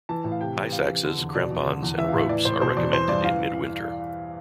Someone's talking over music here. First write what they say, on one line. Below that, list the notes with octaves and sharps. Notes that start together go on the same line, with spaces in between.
Ice axes, crampons and ropes are recommended in midwinter.
E3 A5
A2
F5
C3 G5
E3
C3 F5
E3
D3
E2
B2 D5
E2
D3
E2
E3 E5
F5
A2 E5
E3 D5
A2 C5
B2 C5
E2 D5
E3 C5
G2 D5
E3 F5